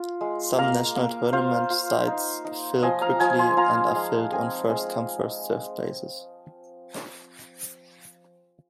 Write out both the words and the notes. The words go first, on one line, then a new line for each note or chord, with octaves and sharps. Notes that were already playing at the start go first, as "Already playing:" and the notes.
Some National Tournament sites fill quickly and are filled on first-come, first served basis.
Already playing: F4
G#3
A#3 F5 A#5
A#3
F4 C5 F5
F4
D#4
D#4
F3 D#5 G#5
F5 A#5
F3 D#5 G#5
G#5 C6
F4 F5 A#5
G#3
C4 D#5 G#5
G#3